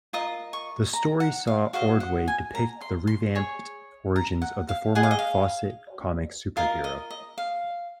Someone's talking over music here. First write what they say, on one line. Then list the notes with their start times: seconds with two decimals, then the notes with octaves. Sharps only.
The story saw Ordway depict the revamped origins of the former-Fawcett Comics superhero.
0.13 F4 A#4 D#5 D#6
0.53 C#6
0.93 A#5
1.20 F#5
1.47 F5
1.73 F#4 C5 D#5 F5
2.00 F#5
2.28 G#5
2.55 A#5
2.81 C6
3.07 C6
3.35 G#4 C#5
4.16 A#5
4.42 F#5
4.69 F5
4.95 G#4 D#5 F#5
5.03 F5
5.11 D#5
5.19 F5
6.57 F4 A#4 D#5 F5
6.84 D#5
7.11 D#5
7.38 F5